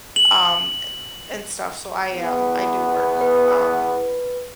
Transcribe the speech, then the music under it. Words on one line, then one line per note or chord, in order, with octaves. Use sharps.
um, a and stuff, so I, um, I do work, um
F#7
E2 B3
B4